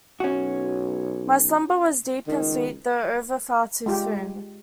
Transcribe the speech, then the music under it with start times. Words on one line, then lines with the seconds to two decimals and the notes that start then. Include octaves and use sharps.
My slumber was deep and sweet, though over far too soon.
0.20 B1 C#4 F#4
2.27 C#2 D#3
3.86 G#3 F4 G4